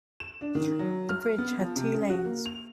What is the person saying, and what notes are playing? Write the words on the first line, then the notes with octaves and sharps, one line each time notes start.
The bridge had two lanes.
E7
D4
D#3
F#3
F6
B3
F3
C3
C#3
F#4
A#3
F7